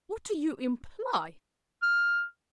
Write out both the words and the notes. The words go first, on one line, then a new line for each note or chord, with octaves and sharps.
What do you imply?
F6